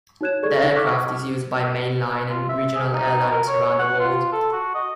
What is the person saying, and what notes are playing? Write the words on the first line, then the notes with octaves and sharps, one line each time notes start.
The aircraft is used by mainline and regional airlines around the world.
D#4 F#4 C#5 F#6 G#6 E7
G#4 A4 D5 C#6 G#6
D#4 A4
C#6 D6 F6 F#6 G#6 B6
F4
E5
G#4
D#4
A#4
C#5
F#5
F4
A4
F#4
D#5